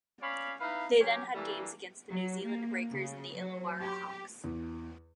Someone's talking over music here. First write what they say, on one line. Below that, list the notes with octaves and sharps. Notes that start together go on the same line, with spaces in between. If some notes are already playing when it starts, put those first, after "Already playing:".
They then had games against the New Zealand Breakers and the Illawarra Hawks.
C#4 C#5 D5 F5 B5
D#4 E4 B4 F5
F#3 C#4 G4
E3 G3 A3 A#3 D4
F#3
A#3
C#3
F#3
G4
E2